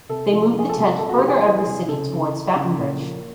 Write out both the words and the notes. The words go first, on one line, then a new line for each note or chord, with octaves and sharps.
They moved the tent further out of the city towards Fountainbridge.
C3 A4
F3
F3
G#4
A4
C3
C3 A4
F#4
E3 G4
G#4
E3
G#4
C3
C#3 A4
E3
E3
C#3
A#2
F3